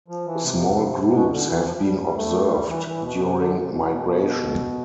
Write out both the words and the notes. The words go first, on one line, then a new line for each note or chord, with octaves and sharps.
Small groups have been observed during migration.
F3
E3
C3
B2
D3
E3
F3
F3
G3
G3
A3
G3
E3
E3
A2
B2
C3
D3
C3
B2